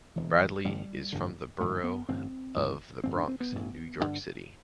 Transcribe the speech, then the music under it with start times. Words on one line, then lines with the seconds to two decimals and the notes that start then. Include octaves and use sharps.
Bradley is from the borough of the Bronx in New York City.
0.16 E1 D2 C3 E3
0.65 A1 G2 D3 G3
1.13 A1 G2 D3
1.60 A1 G2 D3 A3
1.84 B3
2.08 A1 G2 D3 C4
2.56 A1 G2 D3
3.04 A1 G2 D3 C4
3.16 D4
3.28 C4
3.40 B3
3.52 A1 G2 D3
4.00 A1
4.03 G2 D3